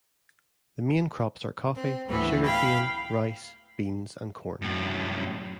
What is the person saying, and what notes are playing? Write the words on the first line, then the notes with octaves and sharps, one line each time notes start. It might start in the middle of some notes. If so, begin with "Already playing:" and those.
The main crops are coffee, sugarcane, rice, beans, and corn.
C4
D2 A2 E3 B3
F5 G5 B5
F#2 A2